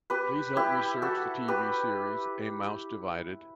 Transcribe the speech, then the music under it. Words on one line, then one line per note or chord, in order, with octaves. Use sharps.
Please help me search the TV series A Mouse Divided.
G4 B4
E4 G4
F#4 A4
G4 B4